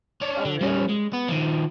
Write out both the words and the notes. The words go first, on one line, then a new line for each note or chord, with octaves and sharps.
Oh, really?
C#4 D4
D3
G3 C#4
G#3
B3
D#3 F3